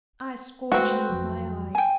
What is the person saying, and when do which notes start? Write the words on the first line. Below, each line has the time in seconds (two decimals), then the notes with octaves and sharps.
I scorch you with my eye!
0.72 G#3 A3 C4 F#4 B4
1.10 F2 F3 F#3
1.75 G5 G#5